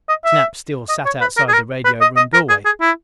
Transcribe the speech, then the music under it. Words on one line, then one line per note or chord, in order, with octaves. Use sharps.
Snap still sat outside the radio room doorway.
D#5
E5
D#5
C#5
B4
A#4
G#4
A#4
B4
D#5
D#5
A#4
G#4
G#4
E4